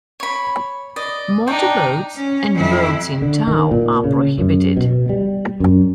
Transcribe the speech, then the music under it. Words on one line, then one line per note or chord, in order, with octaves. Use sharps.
Motor boats and boats in tow are prohibited.
C#5 B5
D5 D#5
D4 D#4 G5
C#4
F2 E4
D3
D#3
A#2
C#3
F#2
B2
G3
F#2